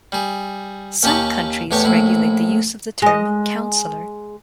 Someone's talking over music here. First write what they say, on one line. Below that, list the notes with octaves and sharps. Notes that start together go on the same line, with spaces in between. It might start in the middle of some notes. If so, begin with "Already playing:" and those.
Some countries regulate the use of the term "counselor".
G3 G#4
D#2 C#4 G4 A5 B5 C#6
E2 A2 G4 C#5 C#6
A#1 A2 E4
G#3 D#5